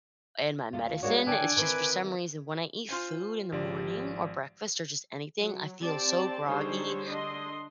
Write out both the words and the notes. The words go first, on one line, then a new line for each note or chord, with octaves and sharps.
and my medicine, it's just for some reason, when I eat food in the morning or breakfast or just anything, I feel so groggy
D#2 A3 F4
G#3 A#3 D4 F#4 C#5
D3 D#3 D4 G5 G#5 D6 F#6
D#3 E3 C4 B4
F4 C5 G#5
G#1 F3 G4 D5
F#3
C4 G4 D5 A5
D3 G3 D#4 G#4 C5 C#5
D3 D4 D#5 C6